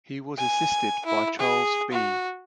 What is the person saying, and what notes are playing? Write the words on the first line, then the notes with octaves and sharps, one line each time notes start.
He was assisted by Charles B.
G#5
E4
G#4
F#4